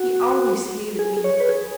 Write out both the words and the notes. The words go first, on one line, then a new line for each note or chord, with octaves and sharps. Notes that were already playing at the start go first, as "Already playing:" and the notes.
He always hated me.
Already playing: F#4
G#4
C#5
B4
G#4